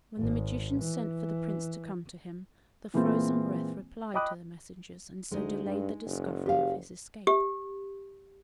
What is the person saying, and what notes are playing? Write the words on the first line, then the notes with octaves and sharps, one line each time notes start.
When the magician sent for the Prince to come to him, the frozen breath replied to the messengers, and so delayed the discovery of his escape.
G#1
E3
A#2 E3 G#3 A#3 C4 F4
D#5 G5 B5 D6 D#6 F#6
D2 G#3 D#4
G2
F#1
G4 F5
G4